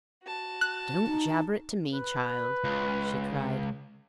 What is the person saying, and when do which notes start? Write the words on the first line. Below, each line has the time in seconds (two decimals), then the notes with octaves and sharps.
'Don't jabber it to me, child,' she cried.
0.24 F#4 A5
0.61 F#6
1.07 D#4
1.93 B4
2.64 C#2